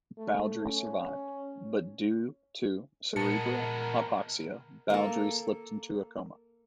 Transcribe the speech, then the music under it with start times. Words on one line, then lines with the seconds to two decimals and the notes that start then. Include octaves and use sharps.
Bowdery survived, but due to cerebral hypoxia Bowdery slipped into a coma.
0.18 A3
0.64 C#4
3.16 A#2 G#3 B3 A#4 A5 C#7
4.90 A#3 A4